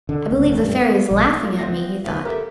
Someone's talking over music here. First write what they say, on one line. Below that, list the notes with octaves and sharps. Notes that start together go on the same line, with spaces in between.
"I believe the Fairy is laughing at me," he thought.
D3
C#2
E1
G2
B3
A#1
F4
B3 C4 F4 E5 A#6
B4 E5 F5
G4 A4 A#4 E5